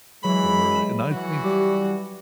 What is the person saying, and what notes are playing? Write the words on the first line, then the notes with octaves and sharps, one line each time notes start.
for and I think
E3 F#3 G#3 B5
D#7 E7
E3 F#4
G3 D6